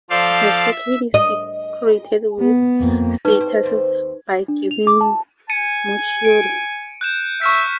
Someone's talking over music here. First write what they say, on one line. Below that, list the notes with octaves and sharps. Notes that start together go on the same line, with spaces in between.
The facade is decorated with statues by Giovanni Marchiori.
F3 A4 C5 D5 F5
E5
D#5
B3
F2 A#3
E2 G3 D#4 B4 C#6
C4
D#2 C4
D4
F7
D6
A5
G#5 C#7 D#7
D7
F#6 G6 E7
E5 C#6 F6 B6